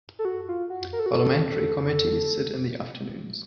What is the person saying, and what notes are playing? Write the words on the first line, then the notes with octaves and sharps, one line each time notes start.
Parliamentary committees sit in the afternoons.
A4
F#4
F4
F#4
A#4
A4
F#4
A4